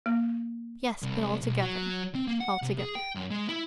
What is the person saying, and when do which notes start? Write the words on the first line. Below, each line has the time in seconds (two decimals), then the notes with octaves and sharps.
"Yes, but altogether; altogether."
0.06 A#3
1.02 C2
1.41 B1
1.62 F#3
2.15 C4
2.28 A#3
2.40 F#5
2.62 C3
2.79 G#4
2.95 G5
3.15 F#2
3.31 G#3
3.49 E4